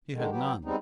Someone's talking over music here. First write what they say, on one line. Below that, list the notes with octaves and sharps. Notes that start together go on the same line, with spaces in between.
He had none.
D3 D#3 G#3
F#3 B3 G4
G3 G#3 B3 C4 D#4